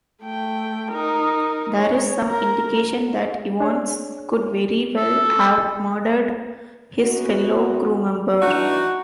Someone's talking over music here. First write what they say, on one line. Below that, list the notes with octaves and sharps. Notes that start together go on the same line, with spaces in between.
There is some indication that Evans could very well have murdered his fellow crewmember.
A3 G5
D#4 A#4
C#5
A#4 A#5
D4 G#4 C#5
A4
F#2 B3 F#4
E3 D4 D#4 F#4